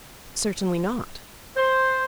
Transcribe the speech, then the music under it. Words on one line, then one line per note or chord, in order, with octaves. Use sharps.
"Certainly not."
C5